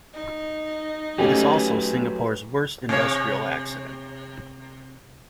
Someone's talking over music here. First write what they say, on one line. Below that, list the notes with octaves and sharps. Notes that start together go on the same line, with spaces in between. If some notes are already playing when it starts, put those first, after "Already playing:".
It is also Singapore's worst industrial accident.
D#4
F#3 A3 C#4 G4 B4 G#5
C3 C#5